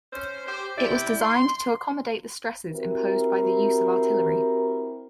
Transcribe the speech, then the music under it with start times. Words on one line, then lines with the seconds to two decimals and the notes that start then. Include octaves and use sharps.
It was designed to accommodate the stresses imposed by the use of artillery.
0.13 C#4 C5
0.48 G4 C5
0.77 C3 E4 D5 G5
1.22 C6
2.72 C4 E4 F#4 G4 A#4